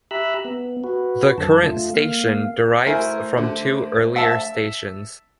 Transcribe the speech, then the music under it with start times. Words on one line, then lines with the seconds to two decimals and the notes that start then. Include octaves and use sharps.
The current station derives from two earlier stations.
0.11 G4 E5 A#5 B5 E6 F#6
0.45 B3
0.84 F#4 B4
1.38 F#2 D3 A5
1.63 A3 F4
1.94 A#3 F5
2.86 A3 E4 A#4 C5 G#5
3.37 D3
4.16 E5 A5